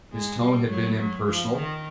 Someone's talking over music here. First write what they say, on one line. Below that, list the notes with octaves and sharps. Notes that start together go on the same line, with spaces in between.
His tone had been impersonal.
G#3
G3
F#3
F#3
F3
D#3